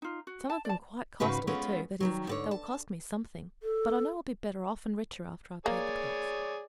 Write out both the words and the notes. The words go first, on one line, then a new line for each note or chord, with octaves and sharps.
Some of them quite costly, too; that is, they will cost me something, but I know I'll be better off and richer after I've paid the price.
D#4 F4
F#4
A5
D5 A5
G#2 C#3 C#4 F#4 B4 F5
G#3 A3 B3 C#4 F4
D#3 E3 F#3
G#2 D3 C#5
A5
A4
A#3 G#4 C#5 D5